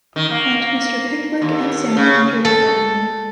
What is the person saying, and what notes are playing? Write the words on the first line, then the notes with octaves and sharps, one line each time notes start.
And Mr. Pickwick and Sam entered accordingly.
D#3
A#3
D#2
C#3
A4